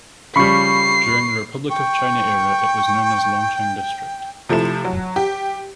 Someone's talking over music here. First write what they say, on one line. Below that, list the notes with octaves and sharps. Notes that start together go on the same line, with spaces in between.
During the Republic of China era it was known as Longcheng District.
C#3 F3 G3 B5 C#6 C7
G5 C#6
C3 F3 A3 E4 E7
F#3
G4